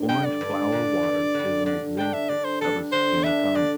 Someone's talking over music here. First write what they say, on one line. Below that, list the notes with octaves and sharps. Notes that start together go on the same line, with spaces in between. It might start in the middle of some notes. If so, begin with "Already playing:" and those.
Orange flower water is an example of a skin tonic.
Already playing: G2
D3 G3 G5
D5
G2
D3 G3
G2
D3 G3
D3 D5
G3 D4 G5
E5
D3 D5
C5
G3 D4 A4
D3 C5
G3 D4 E5
D3 D5